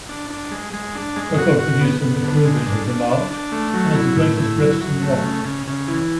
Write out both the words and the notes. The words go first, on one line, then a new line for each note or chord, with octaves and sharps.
Record producer Rick Rubin has remarked, One of the greatest riffs in rock.
D4
D4
G#3
G#3
D4
G#3
F#4
F#4
B3
B3
D3
G#3
D4
D4
D4
D4
A3
F#3
E4
A2
E4
F#3
F#3
A3
C#3
C#3
C#3
E3